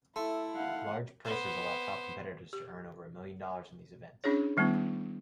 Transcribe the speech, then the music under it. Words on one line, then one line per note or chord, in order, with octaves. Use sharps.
Large purses allow top competitors to earn over a million dollars in these events.
A3 E4 A4 A5 C6
F5 F#5
B3 C5
G4
C#4 D4 E4 G#4 C#5
D#3 G3 A3 B3 E4